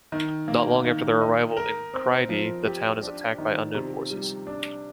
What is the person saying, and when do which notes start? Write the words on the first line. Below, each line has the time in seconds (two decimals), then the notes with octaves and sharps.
Not long after their arrival in Crydee, the town is attacked by unknown forces.
0.12 D#3
0.48 A#3
0.84 D#3
1.21 D#4
1.57 A#4
1.94 C4
2.29 F3
2.65 G4
3.03 D4
3.38 D#3
3.75 C3
4.11 G3
4.47 D4